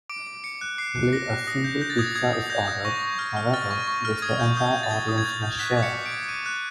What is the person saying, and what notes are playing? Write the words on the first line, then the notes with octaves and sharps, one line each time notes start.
Only a single pizza is ordered, however, which the entire audience must share.
D6 D7
D6
D6 C#7
F#6
D6 C7
F#6
D6 A#6
F#6
D#6 A#6
G6
G6 A#6
A6
D#6 G#6
A6
D#6 G#6
D#6
G6 A#6
D#6
C#6 A#6
C#6
F6
F6
F6 A6
C#6
C#6
F6
D#6 G#6
G6
D#6 G6
G6
A6
D#6 G#6
D#6
G#6
G6 A6
G6
F#6 B6
D6
C#7
D6
D7
D6
D6 D#7
F#6